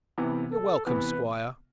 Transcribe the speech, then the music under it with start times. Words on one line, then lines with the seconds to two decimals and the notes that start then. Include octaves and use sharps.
"You're welcome, squire."
0.18 C3 E3 B3
0.52 A4
0.86 C3 E3 B3 B4